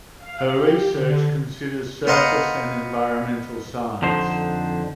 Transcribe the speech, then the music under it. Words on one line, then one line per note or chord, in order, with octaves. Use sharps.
Her research considers surface and environmental science.
F5
G4
D3
B3 C5 D#5 F5 F#5 A#5
F2 D3 D#4 C5